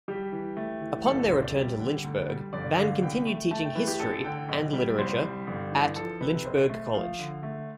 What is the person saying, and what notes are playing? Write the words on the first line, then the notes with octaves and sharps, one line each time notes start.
Upon their return to Lynchburg, Van continued teaching history and literature at Lynchburg College.
G3 G4
E3
A3
E3
G1 A4
A4
C3 C5
D5
G3
D3
D2
G3
G1 D5
D3 F5
C2 G5
A3
A3 A5
G5
E3 B4
G4
A1 A4
D3 G5
B1
G3
C2 C5
G3
G1
E3
F3 A4
C3 B4
B1 C5
A3
F3 F5
D3
A3